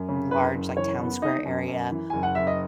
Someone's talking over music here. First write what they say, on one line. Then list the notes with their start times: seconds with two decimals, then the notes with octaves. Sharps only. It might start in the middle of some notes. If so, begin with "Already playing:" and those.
large, like, town square area
Already playing: F#2
0.09 C#3
0.31 F#1 B4
0.55 F#1
0.77 E3 C#5
0.99 B3
1.22 D#4 D#5
1.45 F#2
1.68 F#2
1.91 E3
2.10 F#1 G#5
2.23 F#5
2.35 F#1 E5
2.47 D#5